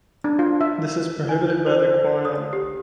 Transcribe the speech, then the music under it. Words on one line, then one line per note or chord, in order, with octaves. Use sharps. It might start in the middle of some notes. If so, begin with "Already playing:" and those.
This is prohibited by the Quran.
D4
F4
E5
G#5
G6
C5
D#6
G4